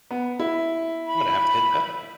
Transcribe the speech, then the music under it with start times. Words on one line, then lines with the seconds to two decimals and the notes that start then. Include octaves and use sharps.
I'm gonna have to hit that up.
0.11 B3
0.39 E4
1.07 B5